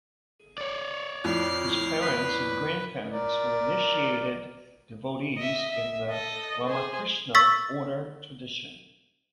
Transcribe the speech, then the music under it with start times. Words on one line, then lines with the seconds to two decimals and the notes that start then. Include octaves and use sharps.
His parents and grandparents were initiated devotees in the Ramakrishna Order tradition.
0.58 C#5 D5
1.24 F2 A2 F6 C7
2.00 B4
3.11 A#4 D5
5.37 D#5 E5
5.69 E5
6.10 A4 D#5
6.66 G#4 C5
7.35 C#6 E6 A6 B6